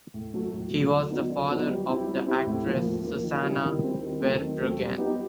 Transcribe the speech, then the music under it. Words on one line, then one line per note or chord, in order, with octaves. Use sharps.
He was the father of the actress Susanna Verbruggen.
A2
F#3 A3
A2
F#3 A3
D3
F#3 B3 D#4
D3
F#3 B3 D#4
G3
C4 E4 G4
G3
C4 E4 G4
A2
F3 A#3
A2
F3 A#3
D#3
G3 C4 E4
D#3
G3 C4 E4
D#3
F#3 A3 C4
D#3
F#3 A3 C4
G3
B3 D#4 G4